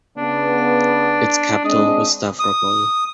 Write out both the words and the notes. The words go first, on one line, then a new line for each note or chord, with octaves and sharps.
Its capital was Stavropol.
C#3 B3 D4
G#3 C4 D4 D#5
D#6